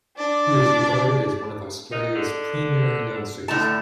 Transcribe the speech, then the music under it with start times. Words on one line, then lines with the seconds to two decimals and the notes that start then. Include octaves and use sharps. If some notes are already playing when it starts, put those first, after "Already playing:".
He is regarded as one of Australia's premier announcers.
0.17 D4 D5
1.91 D#4
2.15 D3
3.48 A2 D3 A5